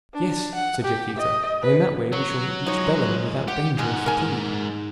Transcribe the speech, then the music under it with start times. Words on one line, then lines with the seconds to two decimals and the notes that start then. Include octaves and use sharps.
"Yes," said Yaquita, "and in that way we shall reach Belem without danger or fatigue."
0.13 D4
0.55 F#5
0.84 G4
1.18 D#5
1.62 B4
2.13 F#3 C#5
2.66 F3 G#3 D#4 C#5
3.48 G4 F#5
3.79 G#2 B2 G#3 F#5 G#5
4.06 A#4 G#5